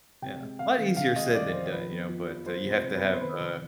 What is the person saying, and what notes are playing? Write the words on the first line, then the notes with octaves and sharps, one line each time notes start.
Yeah, lot easier said than done, you know? But, uh, you have to have, uh,
C3 G5
G#3
C3 F5
D#3
C3 F5
G#3 D#5
D#3 D5
F2 C5
F3 B4
B3
F3
F3
F3 C5
C3
C5
C3
B4
B3
C5
D#3 B4
F1